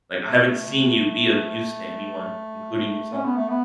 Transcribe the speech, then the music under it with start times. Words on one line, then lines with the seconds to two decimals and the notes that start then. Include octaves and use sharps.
Like, I haven't seen you be of use to anyone, including yourself.
0.25 A3
3.13 C#4
3.24 B3
3.36 A3
3.49 B3